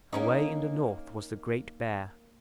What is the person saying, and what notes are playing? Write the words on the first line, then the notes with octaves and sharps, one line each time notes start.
Away in the north was the Great Bear.
A#3 C#4 D#4